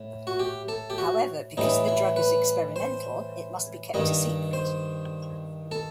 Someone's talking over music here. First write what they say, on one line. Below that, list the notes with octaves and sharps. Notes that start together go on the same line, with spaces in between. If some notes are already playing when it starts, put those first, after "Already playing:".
However, because the drug is experimental, it must be kept a secret.
Already playing: A2
F#4
G4
A4
G4
F#4
A2 E3 G3 D#4
E4
B4
C5
G2 D#3 G3 D#5
C5
A4